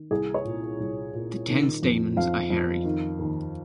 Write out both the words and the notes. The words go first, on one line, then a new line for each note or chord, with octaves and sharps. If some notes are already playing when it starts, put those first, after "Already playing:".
The ten stamens are hairy.
Already playing: D#3
C2 G#4
C#5
A#2
C2
A#2
D#3
F2
F2 F5
F2
D#3
D#2